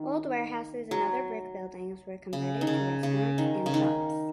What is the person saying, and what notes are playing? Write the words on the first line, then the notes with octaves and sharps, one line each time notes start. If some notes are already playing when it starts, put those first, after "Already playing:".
Old warehouses and other brick buildings were converted to restaurants and shops.
Already playing: D#3
F#3
C#3
D#3
C#3
C#3
D#3
C#3
D#3